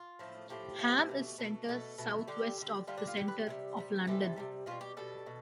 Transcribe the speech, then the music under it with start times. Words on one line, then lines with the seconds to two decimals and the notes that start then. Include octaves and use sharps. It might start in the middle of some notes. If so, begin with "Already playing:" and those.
Ham is centred south-west of the centre of London.
Already playing: F4
0.19 A2 F3 A3
0.49 A2 F3 A3 G4
0.78 A2 F3 A3
1.09 B2 A3
1.38 B2 A3
1.68 B2 A3 A4
1.98 B2 A3
2.27 D3 G3 G4
2.58 D3 G3
2.87 D3 G3 F4
2.97 D4
3.07 F4
3.17 D3 G3 G4
3.28 B4
3.47 C3 E3 G3
3.77 C3 E3 G3
4.07 C3 E3 G3 A4
4.36 C3 E3 G3
4.66 B2 G3 F4
4.81 G4
4.97 B2 G3 A4
5.26 B2